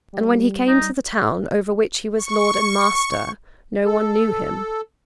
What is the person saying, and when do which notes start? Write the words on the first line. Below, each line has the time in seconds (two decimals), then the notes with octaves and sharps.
And when he came to the town over which he was lord and master no one knew him.
0.13 G3
0.68 D#4
2.17 C#6
3.86 A4